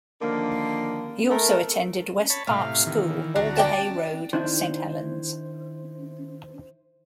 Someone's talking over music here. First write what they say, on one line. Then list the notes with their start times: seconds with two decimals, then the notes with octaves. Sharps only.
He also attended West Park School, Alder Hey Road, Saint Helens.
0.22 D3 D#3 F3 A#3
1.30 A3 A#4
2.30 C#5 A5 B5
2.47 A2 C3 F5
2.87 D#3 E3
3.36 D2 D4 F#4 A#5
3.57 D5 G5 A5
4.33 D#3 D4 E4 C5